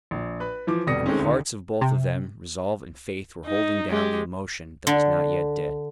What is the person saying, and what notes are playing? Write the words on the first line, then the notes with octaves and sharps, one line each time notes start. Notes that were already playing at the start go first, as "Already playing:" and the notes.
In the hearts of both of them resolve and faith were holding down the emotion that was not yet dead.
A#1
B4 B5
E3 F3 D6
F1 B2 G3 D#6 A#6 C#7
D#3 G#3 A3 C4 C#4
D2 D#3
C3
D#4
G#3 G4
D3